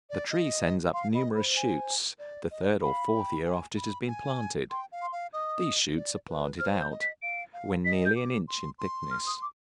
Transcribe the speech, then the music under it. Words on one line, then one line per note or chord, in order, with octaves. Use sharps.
The tree sends up numerous shoots the third or fourth year after it has been planted; these shoots are planted out, when nearly an inch in thickness.
D5
D#5
F5 C6
D#5 B5
C5 B5
G#5
D5
D#5
F5 B5
G5
G#5
B5
G#5
G5 C6
F5
C6
F5
D#5 D#6
D5
B4
C5 F6
G6
D#5
B6
F5 D7
F5
D#5 B6
G6
D6
C6
C6
F6
D#6
D6